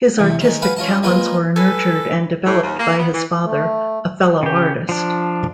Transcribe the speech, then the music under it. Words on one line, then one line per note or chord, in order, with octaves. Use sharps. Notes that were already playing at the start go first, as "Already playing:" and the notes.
His artistic talents were nurtured and developed by his father, a fellow artist.
E2 C3
D#3 G#3
B4 F5 F#5 G#5 B5
C#4 F4 D#5 A5
G#3 A#3 F4 B4 D#5
A4 B4 G#5
A2
D#2
A#3
B3
E3
A3
C#3 G4
F3 D4